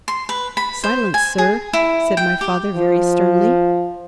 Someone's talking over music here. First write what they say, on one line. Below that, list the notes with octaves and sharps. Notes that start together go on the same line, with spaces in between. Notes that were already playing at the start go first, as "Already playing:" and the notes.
"Silence, sir!" said my father, very sternly.
C6
B4
B5
C5
G#5
G#4
E4
G5
G4
F3